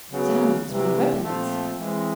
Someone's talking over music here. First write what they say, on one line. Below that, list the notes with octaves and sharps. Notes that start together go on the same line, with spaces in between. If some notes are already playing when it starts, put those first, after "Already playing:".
"Zounds! my weapons."
C#3 F#3 B3
C3 E3 G3
A#2 F3 A3 C4
E3 G#3 C4